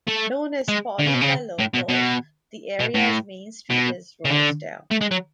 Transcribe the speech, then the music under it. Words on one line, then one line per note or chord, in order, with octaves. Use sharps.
Known as Poly by locals, the areas main street is Rosedale.
A3
G#3
D3
C#3
B2
C#3
A2
B2
B2
B2
A2
B2
C#3
D3
A3
G#3
F#3